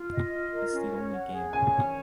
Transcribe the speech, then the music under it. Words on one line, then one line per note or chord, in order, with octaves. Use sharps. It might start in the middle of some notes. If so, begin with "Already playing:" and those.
It's the only game.
Already playing: F4
D#5
F4
A#4
C#4
C#5
F#5
G#4
C#4 G#5
C#5